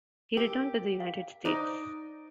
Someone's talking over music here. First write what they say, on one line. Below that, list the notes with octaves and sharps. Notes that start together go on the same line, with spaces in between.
He returned to the United States.
G4 A#4
F5
D#4 C5 D5 D#6